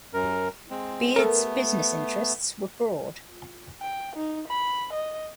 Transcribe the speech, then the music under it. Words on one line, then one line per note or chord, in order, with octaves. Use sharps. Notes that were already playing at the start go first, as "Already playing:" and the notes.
Beard's business interests were broad.
F#2 A#4
G#3 C4
A3 B3 A4 A#4
G5
D#4
B5
D#5